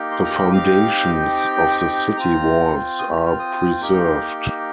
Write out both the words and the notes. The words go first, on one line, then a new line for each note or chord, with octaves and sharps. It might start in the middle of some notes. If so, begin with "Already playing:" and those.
The foundations of the city walls are preserved.
Already playing: A#3 D#4 G4
C6
A#5
G5
C4 D#4 G4 F5
G5
C4 F4 A#5
D#6
F6
F6
D#6
A#3 D#4 G4 G6